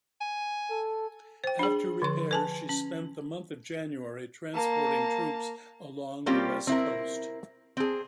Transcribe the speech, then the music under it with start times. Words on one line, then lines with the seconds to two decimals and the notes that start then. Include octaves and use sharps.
After repairs, she spent the month of January transporting troops along the west coast.
0.21 G#5
0.71 A4
1.44 C5 G5
1.59 D4 G#4
2.02 D3 F3 C6
2.31 B4 G#5 A5
2.69 C#4
4.54 A#3 A5
6.26 G3 A#3 C4 C#4 F4 G4
6.67 C4 E4 A#4
7.77 C4 G#4